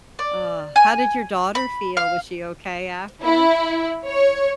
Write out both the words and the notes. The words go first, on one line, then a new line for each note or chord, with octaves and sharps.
Ugh. How did your daughter feel? Was she okay after?
D5
G#5
B5
F5
E4
C#5